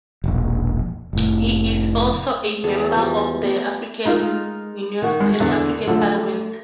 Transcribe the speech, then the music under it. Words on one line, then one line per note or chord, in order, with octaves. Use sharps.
He is also a member of the African Union's Pan-African Parliament.
E1 A#1
F1 A2
E2 F#4 G#4 A4
F3 G3
A3 B3 G4
G#3 D#4 F4 A#4
D#3 F#4
G#3
E2 D3
D3 F3 F#3 A3 A4